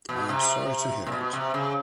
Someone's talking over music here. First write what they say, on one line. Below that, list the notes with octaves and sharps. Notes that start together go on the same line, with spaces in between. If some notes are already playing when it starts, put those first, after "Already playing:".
I am sorry to hear it.
B2
C3
A#2
B2
C3
C#3